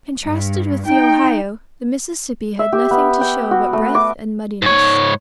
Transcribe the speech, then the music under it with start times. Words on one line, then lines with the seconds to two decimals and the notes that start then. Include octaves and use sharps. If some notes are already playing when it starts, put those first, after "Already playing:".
Contrasted with the Ohio, the Mississippi had nothing to show but breadth and muddiness.
0.24 G2
0.86 D#4 G5
2.59 E5
2.73 G4
2.91 B3
3.21 G5
3.51 F#4
3.73 A3
3.95 D6
4.62 G#2 C#5